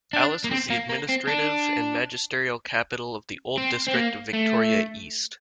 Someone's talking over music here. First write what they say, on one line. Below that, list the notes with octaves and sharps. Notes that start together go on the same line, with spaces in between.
Alice was the administrative and magisterial capital of the old district of Victoria East.
D4
A#3
C4
A#3
A#3
C4
D4
C4
C4
A#3
A3